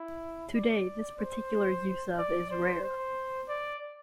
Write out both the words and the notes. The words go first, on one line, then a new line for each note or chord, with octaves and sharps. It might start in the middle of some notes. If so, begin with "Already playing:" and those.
Today, this particular use of is rare.
Already playing: E4
D5
C5
D5
C5
C5
D5